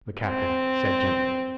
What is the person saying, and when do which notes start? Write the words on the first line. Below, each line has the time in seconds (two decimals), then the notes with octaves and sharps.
The Captain said gently.
0.25 C4